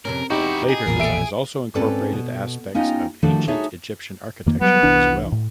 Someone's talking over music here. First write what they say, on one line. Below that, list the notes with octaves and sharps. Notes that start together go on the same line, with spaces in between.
Later designs also incorporated aspects of ancient Egyptian architecture as well.
F2 C3 C#4 A#4
E2 D#4 E4 F#4 G4
G#4
A1 E2 G2 A#2 F4 A#4
G4 A4 E5 D7
G#2 C4 C#4 A4 B4 D5
B2
B3 C#4 D#4 F4 D#5 G5
D#3 F3 A3 D4 F#4 A4
D#4 F#4 G#4 A4 C#5 E5
F2 D#3 A#3
F#3 G3 B3
C2 E3 D4
A2